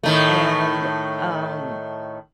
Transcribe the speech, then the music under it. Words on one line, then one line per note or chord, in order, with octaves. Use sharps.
and, um
A2 D#3 A3